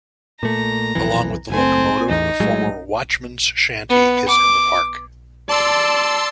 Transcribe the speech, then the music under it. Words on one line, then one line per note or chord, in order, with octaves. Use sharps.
Along with the locomotive, a former "watchman's shanty" is in the park.
A#2 A3 A#5
B1 F2 E3
F#1 A3 C4 G#5
A1 E2 D#4
A2 F#3 G#3
B3
D6
D5 A5 C6 E6